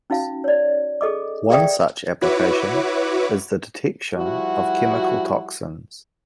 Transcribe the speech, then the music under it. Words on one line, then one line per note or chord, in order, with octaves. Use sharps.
One such application is the detection chemical toxins.
C#4 D#4 F#4 F5
C#5 D5
G#4 A4 D#5 D6
G#4 D5 E5 F5 G5 D#6
E4 F#4 B4 C#5 D6
F3 G3 E4 F#4